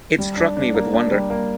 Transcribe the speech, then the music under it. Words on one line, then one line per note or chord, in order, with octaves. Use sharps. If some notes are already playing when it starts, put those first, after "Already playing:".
It struck me with wonder.
G3
D4
D4
A#3
D4
G3
A#3